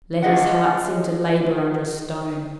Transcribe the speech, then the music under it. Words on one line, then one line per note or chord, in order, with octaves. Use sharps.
Letty's heart seemed to labor under a stone.
F4 G#4 D#5 F#5